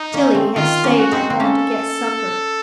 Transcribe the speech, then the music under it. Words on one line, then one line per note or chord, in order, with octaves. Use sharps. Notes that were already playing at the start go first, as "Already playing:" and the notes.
Tillie had stayed at home to get supper.
Already playing: D#4
A#3 C#4
A3 C4
D#3 F4
A#3 C#4
F#4
C4 D#4
C4
A#3 C#4 A4